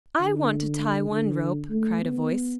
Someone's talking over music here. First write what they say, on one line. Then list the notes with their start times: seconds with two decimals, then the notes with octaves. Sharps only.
"I want to tie one rope," cried a voice.
0.20 D3
1.10 D3
1.70 A3
2.01 B3